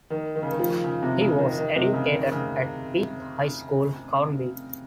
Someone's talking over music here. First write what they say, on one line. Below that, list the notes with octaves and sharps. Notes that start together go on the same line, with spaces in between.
He was educated at Beath High School, Cowdenbeath.
D#3
D#3
C#3
D#3
F3
C#3
C3
C#3
D#3
D#3
C3
C#3
D#3
C#3